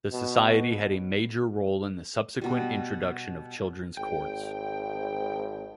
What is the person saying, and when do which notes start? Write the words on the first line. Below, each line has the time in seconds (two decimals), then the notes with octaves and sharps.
The society had a major role in the subsequent introduction of children's courts.
0.13 B2
2.41 B2 G3
3.97 G#1 G5